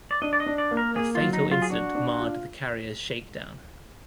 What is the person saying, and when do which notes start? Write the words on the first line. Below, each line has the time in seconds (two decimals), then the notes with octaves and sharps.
A fatal incident marred the carrier's shakedown.
0.11 D5
0.22 D4 D#5
0.33 D5
0.40 D#5
0.46 D4
0.58 D5
0.71 A#3
0.77 A#4
0.96 A#3 G#4
1.15 F4
1.21 F#3
1.33 D#4
1.46 F#3
1.51 F4
1.62 G#4
1.70 D4 F#4
1.95 D4
2.20 F4